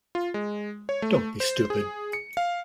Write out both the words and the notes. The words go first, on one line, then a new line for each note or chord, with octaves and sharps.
Don't be stupid.
F4
G#3
C#5
A3
C5
G#4
C#7
F5